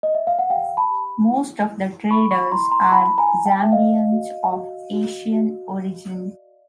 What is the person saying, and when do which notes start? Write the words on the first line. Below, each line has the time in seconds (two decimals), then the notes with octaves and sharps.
Most of the traders are Zambians of Asian origin.
0.03 D#5
0.15 E5
0.27 F5
0.39 F#5
0.49 G4 F5 G5
0.77 A5 B5
0.91 G4
1.31 E4
1.71 E4
2.11 E4 B5 C#6
2.31 B5 C#6
2.52 E4 A#5 C6
2.71 A#5 C6
2.92 E4 A5 B5
3.18 G#5 A#5
3.32 E4
3.46 G5 A5
3.63 E5
3.72 D5 D#5 F5
4.12 F#4
4.53 F#4
4.93 F#4
5.33 F#4
5.73 F#4
6.14 D5